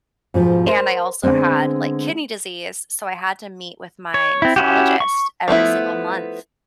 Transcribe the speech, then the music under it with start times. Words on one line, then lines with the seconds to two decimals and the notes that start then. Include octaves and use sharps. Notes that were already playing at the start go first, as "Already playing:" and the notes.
And I also had, like, kidney disease, so I had to meet with my nephrologist every single month.
0.34 G#2 B2 F3
0.67 A#4 C5
1.23 D3 G#3 B3 C4
4.14 C#5
4.42 C4 E4
4.56 C#4 E4 F#4 G4
5.00 C#6
5.48 F3 A3 B3 E4